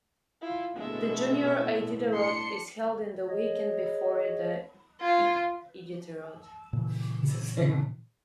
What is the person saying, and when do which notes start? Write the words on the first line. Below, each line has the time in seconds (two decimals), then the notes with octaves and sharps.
The Junior Iditarod is held in the weekend before the Iditarod.
0.42 E4 F4
0.76 D1 B2 G#3 B3 A4 E5
1.59 A2
2.13 D4 C6 C#7
3.30 G#4 C#5 D#5
5.01 F4 G#6
6.73 A#2 C#3 E3